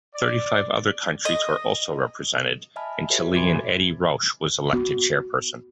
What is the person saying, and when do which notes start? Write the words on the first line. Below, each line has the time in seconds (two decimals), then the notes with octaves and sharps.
Thirty-five other countries were also represented, and Chilean Edy Rauch was elected Chairperson.
0.14 D5
1.25 D#5
2.76 D#5 E5 G#5 A5 B5 F6
3.10 F#4 G4 A4 B4 C#5 E5
3.34 G#5 B5 C6 D6 G#6 A6
4.73 B3 F#4